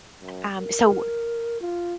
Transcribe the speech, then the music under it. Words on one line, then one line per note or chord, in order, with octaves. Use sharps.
um so,
F#2
A#4
F4